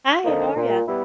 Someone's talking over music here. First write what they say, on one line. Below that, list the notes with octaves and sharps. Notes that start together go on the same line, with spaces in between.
Hi. How are ya?
D3 F3 A#3 D#4
A#2
G3 B3 E4